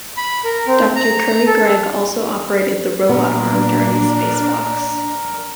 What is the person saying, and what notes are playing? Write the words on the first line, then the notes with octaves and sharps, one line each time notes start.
Doctor Currie-Gregg also operated the robot arm during the space walks.
B5
A#4
C4
A#5
A#5
A4
A#2 B3 D4 A#4